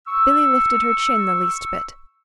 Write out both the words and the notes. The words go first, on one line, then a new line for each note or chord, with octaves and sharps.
Billy lifted her chin the least bit.
C#6 E6